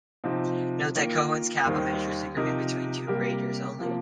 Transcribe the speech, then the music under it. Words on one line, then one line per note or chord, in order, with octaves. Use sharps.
Note that Cohen's kappa measures agreement between two raters only.
C3 F3 C4 D#4
D#3 A#3 F4 A#4
D#2 D#3 G3 D#4 C5
C3 F3 D#4 G4 A#4
C3 G3 A#3 G4 A#4
C3 F3 A#3